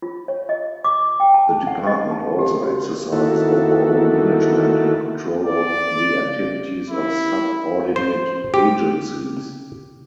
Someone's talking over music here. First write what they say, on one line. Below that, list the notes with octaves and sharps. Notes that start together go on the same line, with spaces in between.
The department also exercises overall management and control of the activities of subordinate agencies.
F4
C#5
D#5
D6
G5
A5
F#5
D#5
A5
G4
F#4
D#3 A#3 E4 F#4 A4
D5
E4
C5
G4